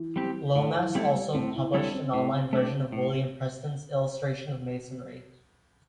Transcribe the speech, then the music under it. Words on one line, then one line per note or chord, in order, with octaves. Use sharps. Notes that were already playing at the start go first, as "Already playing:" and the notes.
Lomas also published an online version of William Preston's "Illustrations of Masonry".
Already playing: E3
G3 C4 G4
A2 D3
E3
G3 A3 C4 E4 A4
G3
A2 C4
E4
G3 C4 D4 E4 A4
C4
A2 C4
A3 D4 G4
A2